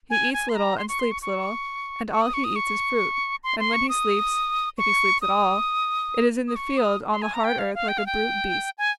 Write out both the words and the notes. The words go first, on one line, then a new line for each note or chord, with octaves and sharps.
He eats little and sleeps little, and all he eats is fruit, and when he sleeps, if he sleeps at all, it is in the field on the hard earth like a brute beast.
G#5
G#5
C6
A#5
C6
C#6
C6
C#6
C#6
C#6
D#6
C#6
D#6
C#6
C6
C6
C#6
D#6
C#6
D#6
D#6
C#6
D#6
C6
G#5
A#5
G5
F5
F5
G5
F5
G5
G#5